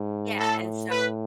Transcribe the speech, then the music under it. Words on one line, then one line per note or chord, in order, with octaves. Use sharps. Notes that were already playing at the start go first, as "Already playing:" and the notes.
Yeah, and so
Already playing: G#2
A2 A4
A2 B4